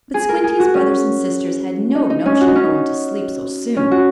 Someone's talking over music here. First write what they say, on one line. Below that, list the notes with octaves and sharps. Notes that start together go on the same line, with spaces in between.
But Squinty's brothers and sisters had no notion of going to sleep so soon.
G#4
A#4
G#4
F#4
C#4
D#4
D#4
C#4
F#4
D#4
C#4
D#4
C#4
F#4